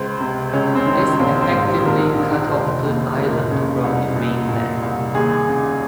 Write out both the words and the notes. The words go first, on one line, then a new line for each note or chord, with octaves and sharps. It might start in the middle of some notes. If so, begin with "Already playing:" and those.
This effectively cut off the island from the mainland.
Already playing: C#2 C5
C3
C#2 C#4
C4
D#3
C#4
A#1 C4
C4
G#2
G4
A#1 A#4
D#3
F1 C5
D#2
F1 A#4
C#3
C2
A#2
A#2
C2
D#2 G#4
C#3